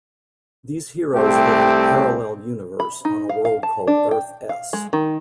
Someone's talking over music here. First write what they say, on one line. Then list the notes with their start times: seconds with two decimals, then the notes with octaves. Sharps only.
These heroes live in a parallel universe on a world called Earth-S.
1.15 C2 A3 C4 G4
2.80 B5
3.05 D#4
3.29 F5
3.45 F5
3.63 A5
3.87 D4
4.11 G5
4.49 F5
4.73 G#3
4.93 D#3